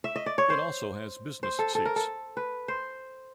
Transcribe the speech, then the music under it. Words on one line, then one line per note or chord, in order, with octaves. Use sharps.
It also has Business Seats.
E5
D#5
D5
C#5
C5
C5
A4
A4
A#4
A4
B4
C5